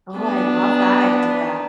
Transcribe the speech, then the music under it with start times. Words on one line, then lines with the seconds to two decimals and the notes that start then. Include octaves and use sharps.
Oh, I love that idea.
0.17 B3 D4